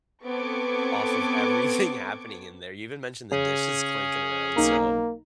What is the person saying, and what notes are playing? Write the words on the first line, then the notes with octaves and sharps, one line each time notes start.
off of everything happening in there, you even mentioned the dishes clinking around, so,
B3 C4 A4 C#6 D6 G#6
C#3 C#4 G#4
B1 A#3 D#4 A#5